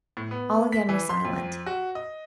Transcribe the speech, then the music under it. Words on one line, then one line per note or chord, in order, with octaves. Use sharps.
All again was silent.
A2
B3
B6
E3
C6
F2
F#4
D#5